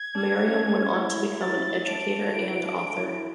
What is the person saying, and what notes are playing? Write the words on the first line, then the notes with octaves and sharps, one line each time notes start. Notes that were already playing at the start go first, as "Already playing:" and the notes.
Miriam went on to become an educator and author.
Already playing: G#6
D4
C#4
D4
C#4
D4
C#4
E4
E4 A6
D4 D7
E4
D4
E4